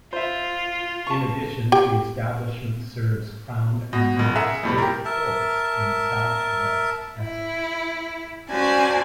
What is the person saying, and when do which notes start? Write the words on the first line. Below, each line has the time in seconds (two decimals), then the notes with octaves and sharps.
In addition the establishment serves Crown and Magistrates' Courts in South West Essex.
0.13 F4 C5 E5
1.07 A5 C#6
1.72 G4 G5
3.93 B2 A#6
4.16 F#1 B2
4.35 G#4 A#4 E5 F#5
4.63 F2 A2 G3
4.78 G4 A#4
5.05 A#4 E5 A5
7.20 E4
8.49 C#4 F#4 C5 D5 G#5 A5